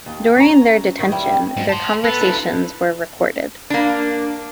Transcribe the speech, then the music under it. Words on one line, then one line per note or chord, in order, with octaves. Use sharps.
During their detention, their conversations were recorded.
D#2
C#4 A#5
F#2 D#3 C#5
G3 E4 G5
G#2
A5 C6
B3 A4 B4
D4 E4
A#3 D4